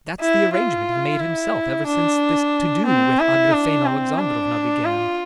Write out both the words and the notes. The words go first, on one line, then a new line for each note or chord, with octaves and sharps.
That's the arrangement he made himself ever since this to-do with Agrafena Alexandrovna began.
E4
F4
E4
D4
C4
E4
D4
C4
D4
F4